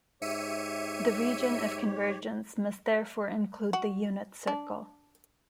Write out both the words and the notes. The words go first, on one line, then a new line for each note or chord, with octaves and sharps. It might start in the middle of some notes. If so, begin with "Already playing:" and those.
The region of convergence must therefore include the unit circle.
G#2 G4 C#5 E5 C#7 D#7
F#4
D4